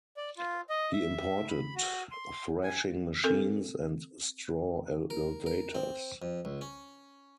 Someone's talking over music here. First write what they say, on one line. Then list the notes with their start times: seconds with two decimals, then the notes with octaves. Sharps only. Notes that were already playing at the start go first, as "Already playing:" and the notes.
He imported thrashing machines and straw elevators.
0.17 D5
0.37 F4
0.70 D#5
0.93 E5
1.49 B5
1.75 F#4
2.11 C6
2.64 G#5
3.24 C4 A4 A#4
5.10 A#4
5.46 A#4
5.75 C4
6.22 F2
6.45 C#2
6.61 C#4